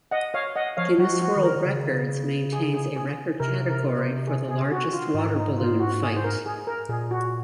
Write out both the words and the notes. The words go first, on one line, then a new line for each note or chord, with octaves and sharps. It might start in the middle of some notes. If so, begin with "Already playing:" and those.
Guinness World Records maintains a record category for largest water balloon fight.
D#5 F#5
C#5 F5
D#5 F#5
F3 C#5 F5
F#3 F#4
F3
F#4
D#3
A#4
D#3
C#3
G#4
G#4
G#4
C3 A#4
A#4
C5
G#4
G#4
F#4
F4
G#2 D#4
D#4
F4
F#4
G#4
C5
A#4
G#4
A#4
A#2 G#4
F#4